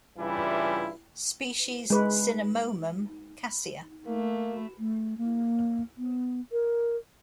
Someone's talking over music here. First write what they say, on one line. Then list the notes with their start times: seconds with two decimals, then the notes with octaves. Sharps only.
Species: Cinnamomum cassia.
0.18 G2 C#3 E3 G3 E4 F4
1.90 G#3 B4
4.06 A3 A#3
4.79 A3
5.18 A#3
5.98 B3
6.52 A#4